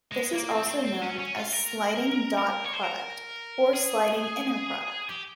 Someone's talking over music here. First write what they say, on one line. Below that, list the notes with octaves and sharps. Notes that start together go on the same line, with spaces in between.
This is also known as a "sliding dot product" or "sliding inner-product".
G#3
A#3
C4
C4
C4
C#4
C#4
F4
A#4
A#4
C#5
C5
A#4
G#4
G4